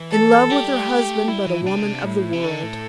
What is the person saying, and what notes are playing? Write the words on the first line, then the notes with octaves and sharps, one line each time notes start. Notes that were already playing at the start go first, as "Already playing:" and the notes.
In love with her husband but a woman-of-the-world.
Already playing: E3
A4
G3 G4
A3
G3 E4
E3
A2
C3 D4
A2 E4
C3
D3 A4
A2